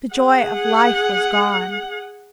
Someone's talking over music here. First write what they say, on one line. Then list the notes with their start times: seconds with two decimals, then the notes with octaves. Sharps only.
The joy of life was gone.
0.15 G#4 F#5